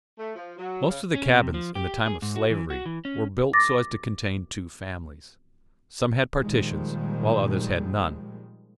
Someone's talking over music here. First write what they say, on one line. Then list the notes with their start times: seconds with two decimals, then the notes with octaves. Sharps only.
Most of the cabins in the time of slavery were built so as to contain two families; some had partitions, while others had none.
0.18 A3
0.36 F3
0.58 F#3
0.89 C#3
1.15 C#4
1.31 C3
1.54 F3
1.75 G4
2.06 G#4
2.22 G#2
2.36 F#4
2.50 E3
2.70 F#4
2.86 E3
3.05 C#4
3.53 D6 A6 A#6
6.39 A#2 D#3 F3 G3 G#3